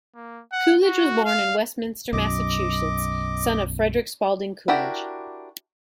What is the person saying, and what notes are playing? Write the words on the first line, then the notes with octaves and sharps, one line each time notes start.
Coolidge was born in Westminster, Massachusetts, son of Frederick Spaulding Coolidge.
A#3
F#5
F#4
F5
B1 F#2 D#5 D6
D4 E4 F#4 G4 A#4